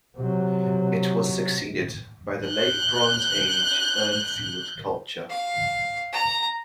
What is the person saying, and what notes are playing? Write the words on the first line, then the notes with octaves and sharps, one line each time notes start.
It was succeeded by the Late Bronze Age Urnfield culture.
C3 F#3
F#6 G6
F5
A#5